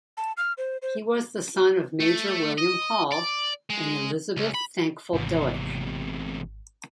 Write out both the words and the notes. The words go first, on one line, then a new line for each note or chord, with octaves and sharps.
He was the son of Major William Hall and Elizabeth Thankful Doak.
A5
F6
C5
C5
A3
D#5
D5
G#3
C#2
B5
G#1 E2 C3